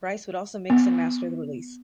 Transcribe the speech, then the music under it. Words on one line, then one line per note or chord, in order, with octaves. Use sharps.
Bryce would also mix and master the release.
B3